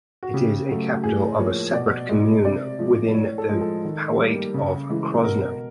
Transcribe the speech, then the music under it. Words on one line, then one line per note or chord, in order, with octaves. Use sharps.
It is a capital of a separate commune within the powiat of Krosno.
F#4
C#3 G4
F#3 A3
A2 G#4
F3 A#3 C#5
B2 D5
G#3
C3 D5
F3 G#3
A2 C#5
A4
F3 G#3
A4
D#3
G3 A#3
C#3
E3 G#3
B2 A#4